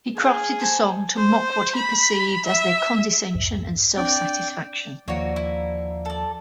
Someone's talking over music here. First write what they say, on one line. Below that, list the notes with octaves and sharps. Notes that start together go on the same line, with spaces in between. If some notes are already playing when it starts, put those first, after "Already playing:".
He crafted the song to mock what he perceived as their condescension and self-satisfaction.
G#4 C#5 F5
A4 C5 G#5
C5
B5
E5
C2 F2 G#2
C4 D4 D5 G5
D#2 D3 F3 A#3 F#4 C#5
E4
A4 D5